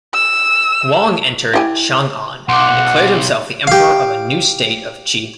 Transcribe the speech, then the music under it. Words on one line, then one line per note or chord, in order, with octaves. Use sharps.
Huang entered Chang'an and declared himself the emperor of a new state of Qi.
E6
E4 G4 G#5
B1 F#5 C6 D6
G4 F5